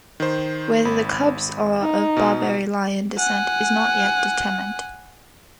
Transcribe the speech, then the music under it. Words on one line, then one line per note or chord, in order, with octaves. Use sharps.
Whether the cubs are of Barbary lion descent is not yet determined.
D#3 C5
G#1 B5
D#4
B2
F#5 G#5